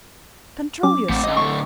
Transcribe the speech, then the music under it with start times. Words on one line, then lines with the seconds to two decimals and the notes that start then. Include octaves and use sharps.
Control yourself!
0.83 F#3 C#4 D6
1.09 A1 A3 C4 B6 E7
1.24 C#4 D#5
1.37 A2 D3 C#6